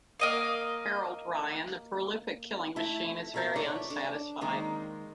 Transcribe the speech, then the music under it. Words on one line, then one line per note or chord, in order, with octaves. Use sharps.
Harold Ryan, the prolific killing machine, is very unsatisfied.
A#3 D#5 F5
A3 E4
B2 A#4 E5
A4 B4 C#5 D5
D4
D#3 G#3 A#3 C4